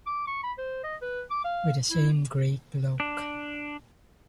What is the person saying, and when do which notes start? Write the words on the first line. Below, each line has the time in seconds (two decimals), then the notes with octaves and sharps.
With the same grey cloak.
0.07 D6
0.27 C#6
0.43 B5
0.58 C5
0.83 D#5
1.02 B4
1.31 D6
1.44 F5
1.90 E4
3.00 D4